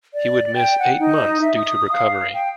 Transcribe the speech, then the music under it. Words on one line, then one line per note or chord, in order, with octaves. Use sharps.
He would miss eight months due to recovery.
D5
G5
F#5
D#4
E5
D#6
F5
G5